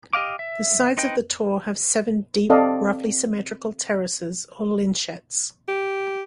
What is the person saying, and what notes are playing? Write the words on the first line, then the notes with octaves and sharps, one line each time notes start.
The sides of the Tor have seven deep, roughly symmetrical terraces, or lynchets.
G4 D#5 F5 D6
E5
C4 D#4 B4 D#5 G5
C4 A4 D5 D#5 F5 A5
G4